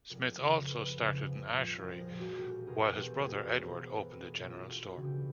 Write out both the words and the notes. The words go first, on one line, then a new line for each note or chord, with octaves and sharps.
Smith also started an ashery, while his brother Edward opened a general store.
F1 G#4 A#4
F2 C#3 G4 A4
F1 A4 B4
F2 C#3
C2
A#2 F3
C2 A#4 C5
G#4 A#4
A#2 F3
F#4 G#4
E1 G4 A4
E2 B2 G#4 A#4
E1 G4 A4
E2 B2 G#4 A#4
C#5
E2 A#4 C5
B2 A4 B4
E2 G#4 A#4
G#4
G4 A4
B2
F4 G4
E1 F4 G4
F#4 G#4
D2 C#3 E3
G4 A4